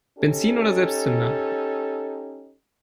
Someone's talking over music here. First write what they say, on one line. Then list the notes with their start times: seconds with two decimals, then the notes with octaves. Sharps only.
Benzin oder Selbstzünder?
0.19 C#4 D#4 G4 A4